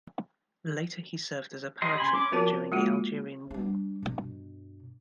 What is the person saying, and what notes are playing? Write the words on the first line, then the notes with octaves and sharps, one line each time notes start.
Later he served as a paratrooper during the Algerian War.
G4 D#5 C6
C#3 G#5 B5 C6
C#4 D6
F3 B3 F4 F#4 A#4 A5
G#3 A#3 F4 F#4
G3 D4
G2 B2